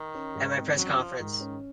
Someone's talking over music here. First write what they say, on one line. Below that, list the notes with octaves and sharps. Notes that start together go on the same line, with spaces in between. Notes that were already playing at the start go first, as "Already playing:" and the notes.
At my press conference.
Already playing: D#3
C#4
G#2
C4
F#2 F#3
F#3
F3 F4
G#2 D#3
C#4